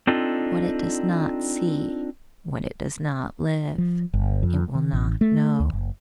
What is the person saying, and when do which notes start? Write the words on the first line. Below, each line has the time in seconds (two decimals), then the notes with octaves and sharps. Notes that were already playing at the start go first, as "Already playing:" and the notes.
What it does not see, what it does not live, it will not know.
0.07 C4 D4 D#4 F4 A4
3.78 F3
4.14 G1
4.43 F2
4.75 D#3
4.93 A1
5.21 A3
5.60 D2
5.73 F#1